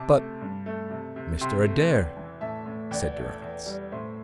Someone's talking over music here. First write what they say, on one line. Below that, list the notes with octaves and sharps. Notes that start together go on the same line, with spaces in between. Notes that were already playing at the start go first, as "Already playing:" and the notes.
"But Mr. Adair?" said Durrance.
Already playing: C3 A5 D6
A3
G2
A3
C3
C3
C3 G5 C6
A3
E2
E3
A2 E5 A5
A2
E2 D5 G5
A3
E2
G3
A2 C5 E5